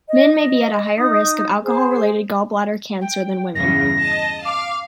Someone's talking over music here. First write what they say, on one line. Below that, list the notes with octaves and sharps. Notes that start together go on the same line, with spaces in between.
Men may be at a higher risk of alcohol-related gallbladder cancer than women.
D#5
D#4 D#6
G#4 C5
G5
E2 G2 C#3 A#6
D#5 A5
F5 D6